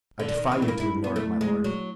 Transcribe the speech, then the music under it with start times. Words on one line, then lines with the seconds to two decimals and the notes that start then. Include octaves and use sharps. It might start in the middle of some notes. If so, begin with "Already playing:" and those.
"I defy you to ignore it, my lord."
0.19 D3
0.36 D#3
0.52 E3
0.62 A3
0.68 A#3
0.80 E4
1.04 B3
1.16 A3
1.41 G#3
1.64 F#3